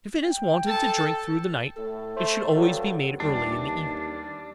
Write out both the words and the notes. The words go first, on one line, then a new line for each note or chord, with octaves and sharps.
If it is wanted to drink through the night, it should always be made early in the evening.
G5
A4 A5
A2 A4
A3 C5
G2 F#3
D#2 E3 G3 D4